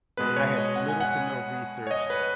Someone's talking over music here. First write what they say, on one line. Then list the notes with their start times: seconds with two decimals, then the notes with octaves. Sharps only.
I had little to no research,
0.17 B2 G#3 B3 B4
0.37 C#5
0.57 D#5
0.76 F#5
0.88 G#5
1.01 F#5
1.87 C#5
1.91 D#5
2.10 B4